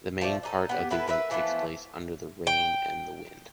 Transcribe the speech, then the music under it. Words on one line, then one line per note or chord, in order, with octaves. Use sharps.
The main part of the event takes place under the rain and the wind.
F3 A3 D4
D4 D#4 A4
B3 G4
B3 E4 A4 B4
A#4 B4 E5
E3 F3 A3 B3
G5